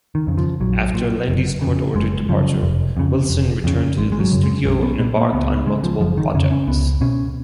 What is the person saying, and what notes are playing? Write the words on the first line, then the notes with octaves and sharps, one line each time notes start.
After Landy's court-ordered departure, Wilson returned to the studio and embarked on multiple projects.
D#3
F2 C#3
F3
A#1 F#3
A#2
F#1
F2 C#3
F#1 G#3
F#2 C#3 F3
F1
F2 C#3
F1
F2 C#3
G#1 G#3
G#3
F#3
F#2 C#3
G#3
B1 C#4
B3
A#2 B3
A#3
C#2 B3
B3
C#3 G#3
F3
F#1 F3
D#3
F2 C#3 C#4
C#4
C#2 B3
B2 C#4